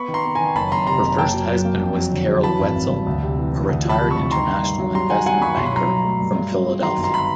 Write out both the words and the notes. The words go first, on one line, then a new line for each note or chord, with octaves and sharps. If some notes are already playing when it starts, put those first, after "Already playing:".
Her first husband was Carroll Wetzel, a retired international investment banker from Philadelphia.
Already playing: B3 B5 C#6
D#3
A#5 C6
B3
D#3 G#5 A#5
F#1 A5 B5
F#1 A#5 C6
C3 A#5 C6
F#1
A#3 G5 A5
F#3
F#2
A#3
F2
F#3
D3
F#3
E3 A5 B5
G#1
G#1
G2
D2
C3
E3
E3
D2
F3 A5 B5
C3
D2 B5 C#6
D#3 A#5 C6
G2
G2
F#3
G3 A#5 C6
D#3 F#5 G#5
G3 F#5 G#5
G2 B5 C#6
B1 C6
B5
F#3 A#5 C6
F#3
A3
G2
G2
F#3
F#3
D#3 A#5 C6
G1
A#5 C6
B5